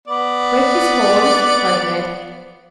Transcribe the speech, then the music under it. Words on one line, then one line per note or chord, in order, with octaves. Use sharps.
"Break his horns!" cried Ned.
B3 D5